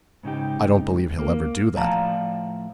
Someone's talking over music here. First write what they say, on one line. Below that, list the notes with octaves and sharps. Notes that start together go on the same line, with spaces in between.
"I don't believe he'll ever do that."
G#2 C#3 D#4 G4
A#3
A2 F3 D5 F5 A5 A#5